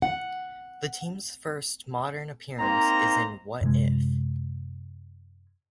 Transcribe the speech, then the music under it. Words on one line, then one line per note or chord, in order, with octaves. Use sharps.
The team's first modern appearance is in What If?
F#5
A#3 C4 D#4 C5 A#5
F#2 C3 G#3